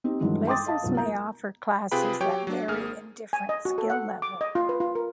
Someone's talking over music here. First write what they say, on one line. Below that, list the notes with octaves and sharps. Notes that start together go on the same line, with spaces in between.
Places may offer classes that vary in different skill level.
C4 D#4 G4
G2 D#3 E3 F#3 G#3 A3
G5 C6 D6 D#6 A6
D#5 F5 A5
C2 F#3 B3 F4
A#3 A#5 G6
C3 F4 G#4 B4 G5 B5
F#3 G4 C#5 G5
F#3 D4
G#1 A#3 G#4 F6
G#5
D#5
F#4
A4
F#5
D6
D#5
F4
B4
F4
A#4